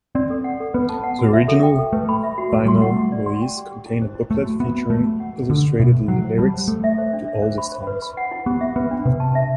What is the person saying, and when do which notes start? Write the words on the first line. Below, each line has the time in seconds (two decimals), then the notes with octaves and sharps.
The original vinyl release contained a booklet featuring illustrated lyrics to all the songs.
0.15 C4 D5
0.30 A4
0.44 F#5
0.60 A4
0.74 B3 B4
0.89 A5
1.04 F#5
1.19 F#4
1.33 E5
1.48 A4
1.63 G5
1.79 A4
1.93 A3 B4
2.09 B5
2.23 E5
2.38 F#4
2.52 A3 B4
2.66 G3 C6
2.79 A3 F#5
2.97 E4
3.12 D5
3.26 C6
3.41 G5
3.57 G4
3.71 G4
3.86 E4
4.02 C5
4.15 E4
4.31 A3 C5
4.45 F#4
4.60 B3 E5
4.76 F#4
4.90 A3 B4
5.05 G4
5.20 F#5
5.35 G4
5.50 D3 A4
5.64 E4
5.79 B2 E5
5.94 E4
6.08 F#3 F#5
6.24 C5
6.38 G3 A5
6.54 C5
6.68 A3 A4
6.84 E5
6.98 C5
7.13 D4
7.28 E5
7.42 C5
7.58 B5
7.72 C5
7.87 B4
8.02 B5
8.17 F#5
8.31 E4
8.46 B3 G4
8.61 E5
8.76 B3 B4
8.91 D4
9.05 C3 B4
9.20 A5
9.35 E5